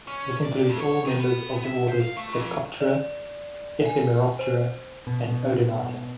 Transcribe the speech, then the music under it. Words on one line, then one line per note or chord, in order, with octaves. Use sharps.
This includes all members of the orders Plecoptera, Ephemeroptera, and Odonata.
C#4
D5
F2
C#5
D#3
B3
E5
C5
F5
A3
F2
D5
G#5
C5
B2